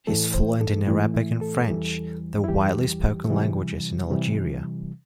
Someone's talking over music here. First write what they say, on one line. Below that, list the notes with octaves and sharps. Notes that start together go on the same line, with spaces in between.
He is fluent in Arabic and French, the widely spoken languages in Algeria.
A2 E3 A3 A4
C5
A4
A2 E3 A3 E4
E4
A4
E2 E3 G3
E4
E2 E3 G3 G4
C3 E3 G3
C3 E3 G3